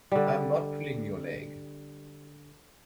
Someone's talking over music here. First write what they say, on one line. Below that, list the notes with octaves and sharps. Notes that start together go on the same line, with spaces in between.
I am not pulling your leg.
D3 G3